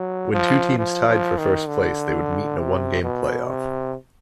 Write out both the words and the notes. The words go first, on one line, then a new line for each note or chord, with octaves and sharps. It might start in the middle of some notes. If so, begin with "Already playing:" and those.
When two teams tied for first place, they would meet in a one-game playoff.
Already playing: F#3
F3
F3
F3
D#3
D3
C3
B2
C3